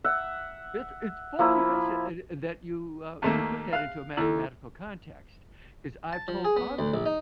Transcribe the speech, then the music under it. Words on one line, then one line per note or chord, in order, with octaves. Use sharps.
It's it's funny you mentioned a a that you, uh, you put that into a mathematical context, 'cause I've told others,
E5 F#5
F3 A#3 E4 B5
D#2 A3 A#3
F5 F#6
D#2 E4 A4
A5
F3
G#4
B3
D2
A#1
D#4